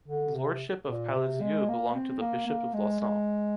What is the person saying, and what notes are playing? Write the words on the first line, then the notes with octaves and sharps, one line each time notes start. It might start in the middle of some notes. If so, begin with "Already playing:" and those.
The lordship of Palézieux belonged to the Bishop of Lausanne.
D3
C3
A#2
C3
G#3
A#3
C4
A#3
A#3
G#3
G#3